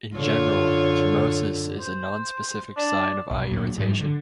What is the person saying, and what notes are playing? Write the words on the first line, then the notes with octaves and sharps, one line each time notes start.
In general, chemosis is a nonspecific sign of eye irritation.
F#2 D3 F4 C#5
C5
D4
B1
D2 A#2 F#3
G#2 F3 G3 G#3
D3